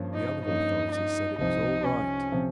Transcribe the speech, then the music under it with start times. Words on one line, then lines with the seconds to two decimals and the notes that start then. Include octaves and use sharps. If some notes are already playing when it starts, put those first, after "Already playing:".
The other authorities said it was "all right!"
Already playing: G2 F3 A#3 C#4
0.14 D#4
0.45 G2 F3 A#3 C#4 D#4
0.92 D#4
1.38 C2 C3 F3 C4 D#4
1.84 C#4
2.32 C3 F3 C4